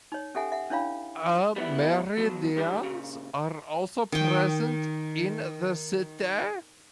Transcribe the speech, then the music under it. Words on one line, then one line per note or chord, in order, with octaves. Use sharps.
Amerindians are also present in the city.
D#4 C#5
C#4 G4 A4 E5 F#5 G#5
E5 F#5
C#4 D4 E4 C#5 F5 B5
G3 B3 E4
B2 F3 F#3
D2 D#3 G3
A#2 C#3
D#3 G5